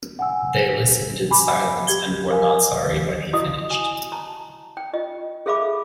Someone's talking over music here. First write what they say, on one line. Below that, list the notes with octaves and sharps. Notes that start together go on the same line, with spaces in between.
They listened in silence, and were not sorry when he finished.
F#5 G#5 E6
G#5 B5 D6
G4 G#6 G7
A#4 F5 G#5
E4 F#4 D#5 F5 D#6
G#5
A5 A#5
G5
F4 D#5
G#4 A4 E5 F5 B5 D6